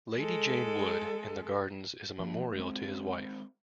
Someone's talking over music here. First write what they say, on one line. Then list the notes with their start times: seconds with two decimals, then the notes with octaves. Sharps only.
Lady Jane Wood in the gardens is a memorial to his wife.
0.18 G#3 A4
2.19 F3 A#3
2.55 G#3 C4